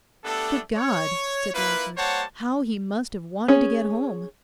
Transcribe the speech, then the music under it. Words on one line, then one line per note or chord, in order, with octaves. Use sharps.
Good God!' said Lawford, 'how he must have wanted to get home!
A3 B3 D4 G4 A4
C#5
A#3 E4 F4 B4
G3 A#3 C5 C#5 F#5 A5
C#4 G#4